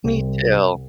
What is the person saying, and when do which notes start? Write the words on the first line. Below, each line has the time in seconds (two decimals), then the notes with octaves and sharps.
Me too.
0.04 C2